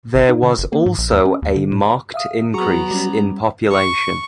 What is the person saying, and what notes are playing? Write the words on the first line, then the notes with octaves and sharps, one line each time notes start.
There was also a marked increase in population.
G#1
D#4
D3
F#1
A#3
G#2
A#1
D#2
C#4
D#2
D3
A2
E5 F5 D#6
F#3 B3 F#4 G#4 A#5 C#6
G3 C#4
C#6